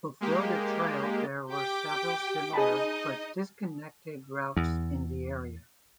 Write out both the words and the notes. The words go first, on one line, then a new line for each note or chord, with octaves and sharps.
Before the trail, there were several similar but disconnected routes in the area.
G#3 A#3 G4
G4 G5 D6
D#4 G#4 D#5 A5 B5
E2